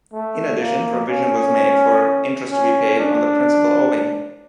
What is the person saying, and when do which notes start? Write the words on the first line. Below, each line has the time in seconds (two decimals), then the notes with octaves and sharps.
In addition provision was made for interest to be paid on the principal owing.
0.13 A3
0.61 A#3
1.09 C#4
2.51 C#4
2.99 D4